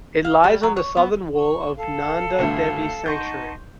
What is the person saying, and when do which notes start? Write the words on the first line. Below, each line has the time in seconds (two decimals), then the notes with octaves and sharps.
It lies on southern wall of Nanda devi sanctuary.
0.25 F5
0.44 G3
0.63 F#3
0.77 C#5
0.97 B3
1.36 C#6
1.76 A4 F5
2.39 G1 D2 A2
3.06 D#4 F#5 A5 C6 C#6 G6